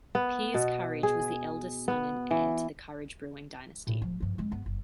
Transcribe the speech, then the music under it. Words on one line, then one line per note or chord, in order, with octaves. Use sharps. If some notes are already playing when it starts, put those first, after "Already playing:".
Piers Courage was the eldest son and heir to the Courage brewing dynasty.
B3
B2
G#4
B3
E3
A2
D1 F3
G2 F3
G#3 C4
G1 B3
F#1